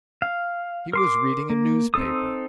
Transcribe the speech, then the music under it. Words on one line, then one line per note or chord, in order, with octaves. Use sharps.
He was reading a newspaper.
F5
A#4 C6 D6
A#3
C4 D#4 A4 D#6